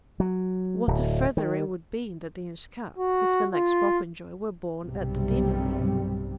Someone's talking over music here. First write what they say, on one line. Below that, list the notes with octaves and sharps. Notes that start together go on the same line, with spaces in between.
What a feather it would be in the Dean's cap if the next Popenjoy were born at the deanery.
F#3
D1
D#3
F#4
F4
B1 G2 C3 G3